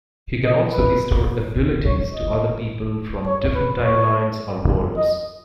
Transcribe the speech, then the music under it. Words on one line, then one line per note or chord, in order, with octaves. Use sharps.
He can also restore abilities to other people from different timelines or worlds.
D#5
B4
C#5
D#5
C#5
B4
C#5
D#5